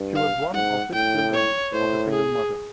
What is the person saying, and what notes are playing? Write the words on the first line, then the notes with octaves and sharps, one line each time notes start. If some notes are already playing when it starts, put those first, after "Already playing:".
She was one of six children of a single mother.
Already playing: G2
F5
G#2 F#5
A2 G5
C#5
A2 C5
G#4